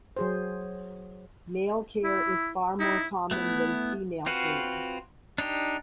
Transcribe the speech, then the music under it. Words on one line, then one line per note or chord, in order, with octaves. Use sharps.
Male care is far more common than female care.
F#3 G#4 C5
E4
D#4 E4
A3 B3 E4
C4 F4 F#4 B4
D4 D#4 G4